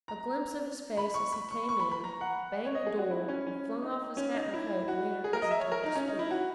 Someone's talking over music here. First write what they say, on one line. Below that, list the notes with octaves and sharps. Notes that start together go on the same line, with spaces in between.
A glimpse of his face as he came in, banged the door, and flung off his hat and coat made her hesitate to speak.
A#5
B5
C#6
B5
C#6
C#6
B5
B5
A#5
F#5
C#5
D#5
G#4
F#4
E4
C#4
C#4
D#4
C#4
D#4
E4
F#4
G#4
A#4
D#5
E5
C#5
A#4
D#4
C#4
D#4
E4
F#4